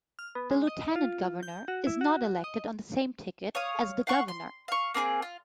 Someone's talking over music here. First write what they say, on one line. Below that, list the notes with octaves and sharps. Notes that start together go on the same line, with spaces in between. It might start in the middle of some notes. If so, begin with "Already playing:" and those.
The lieutenant governor is not elected on the same ticket as the governor.
F6
B3
G#3
D#5
F4
G6
F#4
E4
F#4
D#5
C#5 F5 D#6
F5 F#5 C#6
C6
F5 C#6
A#3 C4 D#4 G#4
F4